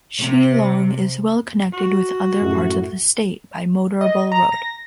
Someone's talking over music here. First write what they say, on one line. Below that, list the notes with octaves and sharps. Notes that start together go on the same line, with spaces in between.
Shillong is well connected with other parts of the State by motorable road.
C3
F#4
F#2 A2 G4
D#5
A#5
A#6